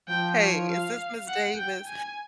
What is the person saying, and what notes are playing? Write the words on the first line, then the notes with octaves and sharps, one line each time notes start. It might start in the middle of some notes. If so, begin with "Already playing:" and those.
"Hey, is this Ms. Davis?"
F3 G5
C#5
F5
F#5
G5
G#5